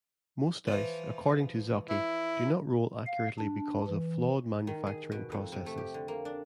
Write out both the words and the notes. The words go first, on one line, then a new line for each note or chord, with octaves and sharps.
Most dice, according to Zocchi, do not roll accurately because of flawed manufacturing processes.
E3 F3
E4
F5
D4
E3
D#3
G#4
B2
F2
C3
A3
G4
D3
A#3
D4